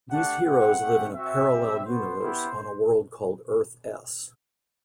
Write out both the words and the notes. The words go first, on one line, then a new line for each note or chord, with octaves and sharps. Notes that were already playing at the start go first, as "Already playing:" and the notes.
These heroes live in a parallel universe on a world called Earth-S.
A3 D4 G4 F#5
C4 E4 G4 F#5
A3 C4 G4
C4 F#4 E5
G3 C4 G4
B3 F#4 C5
B3 E4 G4